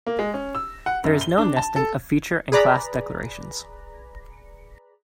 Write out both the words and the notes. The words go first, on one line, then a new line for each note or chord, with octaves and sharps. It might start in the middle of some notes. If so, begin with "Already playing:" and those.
There is no nesting of feature and class declarations.
A#3
G#3
C#4
E6
F#5
F#2
G7
D4
A5
A4
G#4 B4 D5 A#5 B5